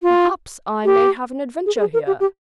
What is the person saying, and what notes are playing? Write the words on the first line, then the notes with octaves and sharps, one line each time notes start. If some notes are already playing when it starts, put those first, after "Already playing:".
Perhaps I may have an adventure here.
F4
G4
G#4
A#4
G#4
A#4
G4
G4